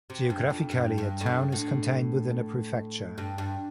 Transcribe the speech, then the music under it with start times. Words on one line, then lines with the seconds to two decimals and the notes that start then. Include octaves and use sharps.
Geographically, a town is contained within a prefecture.
0.10 C3
0.30 G2
0.50 F2
0.71 G2
0.98 G2
1.21 A2
1.26 G2
1.52 A2
3.18 G2
3.38 G2